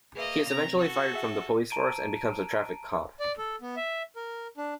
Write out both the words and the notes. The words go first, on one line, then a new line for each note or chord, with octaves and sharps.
He is eventually fired from the police force and becomes a traffic cop.
A#3 G#4 B4 D#5 E5
C3 C4 A#5
F#4 A4
G#4 E5 F#5
A5 A#5 D7 D#7
D5
A4
B3
E5
A#4
D4